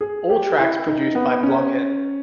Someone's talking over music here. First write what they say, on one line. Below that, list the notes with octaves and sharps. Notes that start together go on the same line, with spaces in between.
All tracks produced by Blockhead.
G#4
G4
E4
D#4
B3
C#4